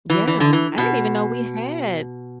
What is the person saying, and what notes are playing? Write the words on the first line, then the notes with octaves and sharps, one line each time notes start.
Yeah. I didn't even know we had
E3
E3
D3
E3
B2